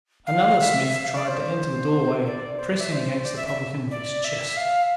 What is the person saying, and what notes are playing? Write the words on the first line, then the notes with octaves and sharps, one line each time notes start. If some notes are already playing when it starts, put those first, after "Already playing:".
Another smith tried to enter the doorway, pressing against the publican with his chest.
F5
E5
E5
F5
D5
C5
D5
C5
D5
E5
C5
D5
E5
E5
D5
E5
F5